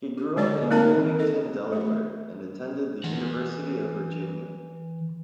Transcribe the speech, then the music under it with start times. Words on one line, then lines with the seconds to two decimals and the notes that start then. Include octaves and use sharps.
He grew up in Wilmington, Delaware and attended the University of Virginia.
0.17 G4
0.36 D3 G#3 D5 D#5
0.71 A#3 C4 D#4 A#4 A5
1.19 A4 D#5
1.72 A3
3.04 E3 F#5